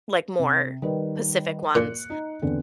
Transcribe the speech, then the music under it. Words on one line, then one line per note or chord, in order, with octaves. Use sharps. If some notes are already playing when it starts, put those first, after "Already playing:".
like, more Pacific ones,
C3
D#3 G3 B4
A#2 F#6 C#7
D#4
E2 D3 C4